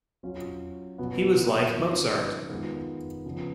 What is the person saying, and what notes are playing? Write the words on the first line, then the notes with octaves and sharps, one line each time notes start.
He was like Mozart.
F#3 C#4 F4
B2 F#3 B3 F4
D#3 F#3 C#4 F4
D#3 G#3 B3 F4
C#3 F3 B3